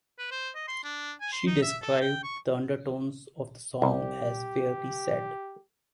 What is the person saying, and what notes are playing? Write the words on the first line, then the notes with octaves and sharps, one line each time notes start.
She described the undertones of the song as "fairly sad".
B4
C5
D#5
C6
D4
G#5
C6
D#4
E5
A4
G5
C#6
C2 G4